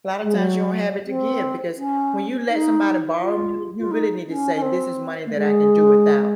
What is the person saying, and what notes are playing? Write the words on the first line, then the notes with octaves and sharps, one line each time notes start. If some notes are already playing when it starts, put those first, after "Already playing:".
a lotta times you don't have it to give because when you let somebody borrow money, you really need to say this is money that I can do without.
G#3
F#3
C4
C#4
D#4
F4
F4
D#4
C#4
C#4
C4
A#3
G#3